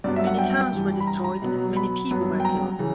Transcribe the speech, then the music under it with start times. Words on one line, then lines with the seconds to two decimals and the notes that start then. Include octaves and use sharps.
Many towns were destroyed and many people were killed.
0.04 G2 F#3 B3 D5
0.16 E5
0.27 F#5
0.38 G5
0.73 G2 E3 G3
1.00 B5
1.07 A#5
1.24 A#5
1.42 B2 F#3 B3
1.76 B5
2.11 G2 F#3 B3
2.40 G5
2.45 A#5
2.79 C#3 E3